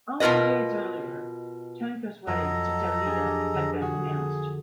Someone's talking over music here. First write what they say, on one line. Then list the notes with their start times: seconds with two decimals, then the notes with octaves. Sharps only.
Only days earlier, Tenco's wedding to Dalida had been announced.
0.20 B2 F4 A#4 B4 D#5
2.27 F2 F#3 A4 D#5 A#5
3.06 D4 G4 G#4
3.54 D3
3.81 F#4 G#4